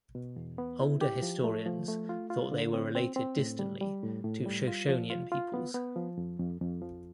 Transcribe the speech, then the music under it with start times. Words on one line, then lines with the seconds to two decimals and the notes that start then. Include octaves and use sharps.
Older historians thought they were related distantly to Shoshonean peoples.
0.15 B2
0.36 E2
0.58 B3
0.81 E4
1.01 G4
1.22 F3
1.44 A3
1.66 F3
1.88 A3
2.09 F4
2.30 F4
2.52 D3
2.73 C4
2.95 C4
3.16 C4
3.38 A2
3.59 G3
3.81 G3
4.03 A2
4.24 A2
4.46 G3
4.68 F4
4.89 F3
5.10 F4
5.32 F4
5.54 B3
5.74 B3
5.96 F3
6.17 F2
6.40 F2
6.61 F2
6.82 F3